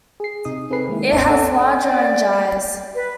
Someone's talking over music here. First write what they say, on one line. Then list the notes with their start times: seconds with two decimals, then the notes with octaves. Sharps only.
It has large orange eyes.
0.20 G#4 C7
0.45 C3 D#4 D#6
0.71 C4 G#4 A4 B4 C7
0.88 D#3 G#3 A#3 E4
1.12 G#1 D#2 C#5 D5 E5
1.27 A4 C5 D#5 F#5 G#5 E6
1.80 D5
2.94 B4